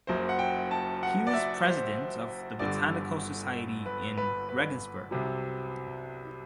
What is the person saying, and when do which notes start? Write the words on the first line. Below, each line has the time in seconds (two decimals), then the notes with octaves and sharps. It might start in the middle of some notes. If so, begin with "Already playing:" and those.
He was president of the botanical society in Regensburg.
0.07 F#1 F#2 F#3 C5
0.29 F#5
0.39 G5
0.71 A5
1.03 F#5
1.27 D5
1.33 E5
1.65 C5
2.59 G1 G2 D3 D5
3.86 B4
4.17 B4
4.49 B4
5.11 C2 C3 F#3